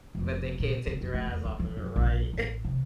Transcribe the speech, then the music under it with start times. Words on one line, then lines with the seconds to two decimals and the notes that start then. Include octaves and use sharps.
but they can't take their eyes off of it, right?
0.15 F1
0.60 A#2
0.87 C#3
1.01 F#1
1.14 A3
1.27 E2
1.45 D2
1.59 E3
1.77 F#2
1.96 A#1
2.33 A1
2.65 C3